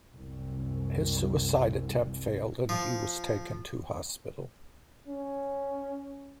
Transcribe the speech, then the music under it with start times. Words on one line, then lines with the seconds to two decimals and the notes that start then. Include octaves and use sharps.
His suicide attempt failed, and he was taken to hospital.
0.13 C2 F#2
2.69 F3
5.08 C#4